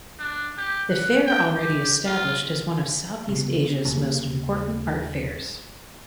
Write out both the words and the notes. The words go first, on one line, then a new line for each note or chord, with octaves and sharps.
The fair already established as one of Southeast Asia’s most important art fairs.
D4
G4
F#5
G5
G4
F4
C#3 B3
D#2 C#3